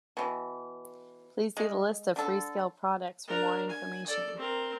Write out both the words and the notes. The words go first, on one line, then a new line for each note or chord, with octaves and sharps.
Please see the List of Freescale products for more information.
B2 E3
G#3
D3 A4
D4 A#4
G#5
A4 D5
C4 A#4